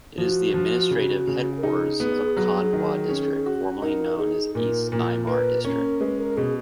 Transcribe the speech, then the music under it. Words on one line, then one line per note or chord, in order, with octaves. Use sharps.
It is the administrative headquarters of Khandwa District, formerly known as East Nimar District.
F3 F#4
F3
C#3
C#3
A#4
D#4 G#4
B3
F#3
D#3
C#4
F#4
D#4 A#4
D#4 G#4
A#2 A#4
A#2 A#4
A#3 B4
C#4 A#4
G#3 B4
A#4
B2 G#4